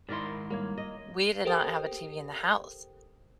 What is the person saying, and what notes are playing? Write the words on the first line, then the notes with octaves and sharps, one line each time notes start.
we did not have a TV in the house.
G#2 D#3 E4 A#4 D5 C6
G3 A#3 C#5 G#6
D#5
G4 A4 A#4 C5 G5 D#6